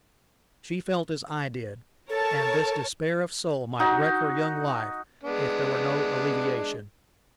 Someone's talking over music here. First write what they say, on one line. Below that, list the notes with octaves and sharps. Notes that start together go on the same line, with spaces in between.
She felt as I did, and this despair of soul might wreck her young life if there were no alleviation.
A4 A#4 C#5 A5
D#4 F#4
G#3 B3 D4